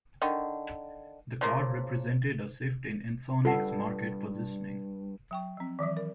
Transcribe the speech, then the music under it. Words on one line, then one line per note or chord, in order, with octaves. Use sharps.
The card represented a shift in Ensoniq's market positioning.
D3 D#3
C#3 F3 A#3
G2 F4 A4 F#5
F#3 G5 C#6
F3 C4
D#3 E3 F#3 D5
A#4